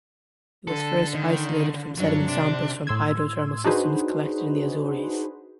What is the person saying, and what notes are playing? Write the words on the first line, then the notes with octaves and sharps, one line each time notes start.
It was first isolated from sediment samples from hydrothermal systems collected in the Azores.
D3 A4
D#3
G2 F#3 D4
C3 D4
A2 C6 E6 G#6
D4 D#4 F#4 G#4 B4 C5